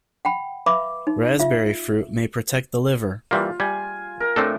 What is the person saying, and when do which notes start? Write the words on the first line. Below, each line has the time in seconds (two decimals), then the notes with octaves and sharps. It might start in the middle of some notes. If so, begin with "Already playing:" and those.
Raspberry fruit may protect the liver.
0.25 F#5 G5 B5
0.66 B4 E5 F5 B5 D6
1.07 D#4
1.39 F4 E5 F5
3.31 E3 G3 A#3 F4
3.60 G3 G#5
4.20 A#4
4.36 A2 C4 D4 A4